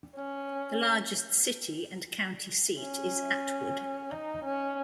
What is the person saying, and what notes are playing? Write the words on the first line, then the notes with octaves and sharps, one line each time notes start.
The largest city and county seat is Atwood.
C#4
C#4
D#4
C#4